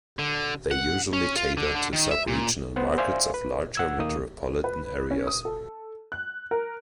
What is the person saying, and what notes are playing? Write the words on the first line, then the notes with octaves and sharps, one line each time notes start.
They usually cater to sub-regional markets of larger metropolitan areas.
D3
F#5
C#4
F4
D3
D3
D#3
E5
A#2
B3 C5 F#5
C5 D5 E5 F5 G#5 C6
B4
F#5 E6 G#6
D#2 D#3 A#3 D#6
B4
C#4
D#6
A4
F#6
A#4